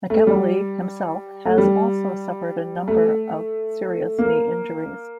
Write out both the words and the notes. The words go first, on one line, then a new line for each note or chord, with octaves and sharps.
McEveley himself has also suffered a number of serious knee injuries.
A3
G3
A3
G3
A3
A#3